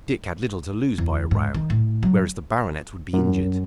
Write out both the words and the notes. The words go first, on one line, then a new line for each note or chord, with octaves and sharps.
Dick had little to lose by a row, whereas the Baronet would be injured.
E2
G#2
D#3
A2
F#3
F#2